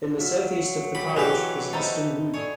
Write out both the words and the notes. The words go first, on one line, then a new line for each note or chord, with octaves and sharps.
In the south-east of the parish is Easton Wood.
F#3 F4 E5
D4 G4 B5
B2 E3 G4 G#4
D#4 E4 A4 C5 A#5
D3 G#4 C#5